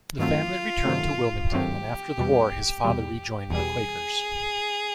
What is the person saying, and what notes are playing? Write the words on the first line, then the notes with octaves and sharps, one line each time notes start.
The family returned to Wilmington and after the war his father rejoined the Quakers.
G2 D#3 F#3 A3 C4 F4
G2 D#3 F#3 A3 C4
G2 D#3 F#3 A3 C4 G4
E2 B2 G3
E2 B2 G3
E2 B2 G3 G#4